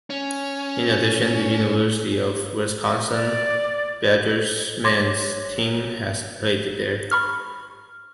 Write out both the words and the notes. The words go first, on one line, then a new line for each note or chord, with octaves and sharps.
In addition, the University of Wisconsin Badgers men's team has played there.
C#4
A2
D5
F#3 C6 D6 G#6
B5 C#6 F6